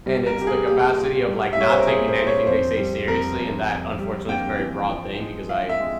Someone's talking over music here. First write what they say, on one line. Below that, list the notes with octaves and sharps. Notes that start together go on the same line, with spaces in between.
And it's the capacity of, like, not taking anything they say seriously, and that unfortunately is a very broad thing because I
G3
A#4
C2 G4
G#4
A#3 G4
A#2
G3
E5
G3 C#5
C5
A#4
A#2 G#4
C5
A#2
C#5
F2 C5
G3
F2 A#4
F2
F2
G3
A#3 G5
E3
F3
G#3
F3 F5
E5
G#3